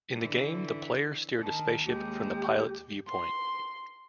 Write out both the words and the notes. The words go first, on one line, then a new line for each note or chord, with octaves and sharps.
In the game the player steered a spaceship from the pilot's viewpoint.
D3 E3
D#3 A5
D#2 G#3 G4
C6